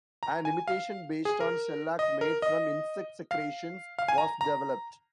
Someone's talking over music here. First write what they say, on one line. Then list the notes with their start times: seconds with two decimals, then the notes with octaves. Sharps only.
An imitation based on shellac made from insect secretions was developed.
0.23 A#5
0.45 G#5
0.68 F5
1.25 G#4
1.40 A#4
1.99 D#5
2.21 A#4
2.42 D#5
3.31 F5
3.99 F5
4.08 G#5
4.18 A#5
4.41 A#5